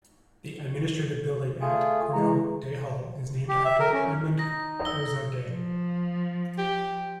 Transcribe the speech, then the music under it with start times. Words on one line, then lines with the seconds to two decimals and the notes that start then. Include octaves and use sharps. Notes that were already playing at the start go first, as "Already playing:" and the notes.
The administrative building at Cornell, Day Hall, is named after Edmund Ezra Day.
1.61 A3 F4 G#4
2.13 E3 G#3 A#5
3.49 G4
3.65 E5
3.80 A#4
3.93 C#4
4.39 D#4 A#6
4.85 E6 G7
5.47 F3
6.58 G4